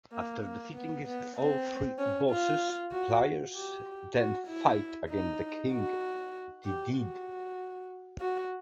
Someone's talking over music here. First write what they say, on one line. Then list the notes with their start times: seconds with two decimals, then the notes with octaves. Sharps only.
After defeating all three bosses, players then fight against King Dedede.
0.12 A#3
0.43 A#3
0.75 B3
1.05 B3
1.36 C4
1.99 C#4
2.30 F4
2.92 F#4
3.54 G4
4.16 F#4
4.47 E4
5.09 D#4
5.71 F#4
6.65 G4
6.96 F#4
8.20 F#4